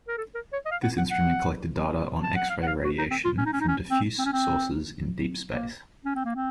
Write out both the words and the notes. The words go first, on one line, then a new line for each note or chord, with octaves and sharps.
This instrument collected data on X-ray radiation from diffuse sources in deep space.
A#4
A4
A#4
C#5
D#5
F5
F#5
F#5
F#5
A5
F#5
F5
F#5
F5
F#4
D#4
C4
F4
C#4
D#4
C#4
D#4
C#4
C4
C4
C#4
C4
A#3
C#4
C4
A#3
C4